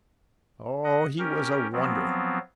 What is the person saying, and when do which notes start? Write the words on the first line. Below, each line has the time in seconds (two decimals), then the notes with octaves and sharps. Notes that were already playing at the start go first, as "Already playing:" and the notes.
Oh, he was a wonder!
0.84 D#5 F#5
1.19 C#4 G4 A#4
1.72 F3 F#3 B3 C4